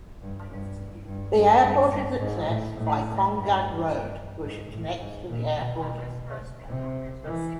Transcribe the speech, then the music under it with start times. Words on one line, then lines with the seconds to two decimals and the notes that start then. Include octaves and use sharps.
The airport is accessed by Konggang Road, which connects to the Airport Expressway.
0.21 G2
0.49 G2
1.06 G2
1.34 G2
1.62 G2
1.90 G2
2.18 G#2
2.46 A2
2.75 A2
3.31 G2
4.43 G#2
4.70 A2
4.99 G#2
5.26 A#2
5.55 B2
6.68 C3
7.23 E3